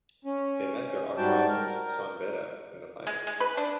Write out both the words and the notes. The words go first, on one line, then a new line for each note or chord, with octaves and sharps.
They met their archrivals, San Beda in the finals.
C#4
G#2 G3 F#4 G5 A5
A#4
G#3
G#3
B4
D4